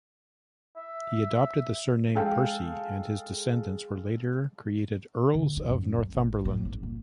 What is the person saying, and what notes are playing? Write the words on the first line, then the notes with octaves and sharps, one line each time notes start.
He adopted the surname Percy and his descendants were later created Earls of Northumberland.
E5
G#3 A4 F5 G5
D3
D#4
F#2
G#3
G#1
A2
G#1
A#2